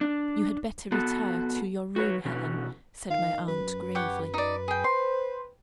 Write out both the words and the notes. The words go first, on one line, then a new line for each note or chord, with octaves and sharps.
'You had better retire to your room, Helen,' said my aunt, gravely.
D4
B3 F#4 A4
F#4 B4 C#5
B2 D3 E3 C#4 F#4
D#3 F5
F#2 B4
G4 C#5 F#5
D#4 D5
G#4 G5
C5 C6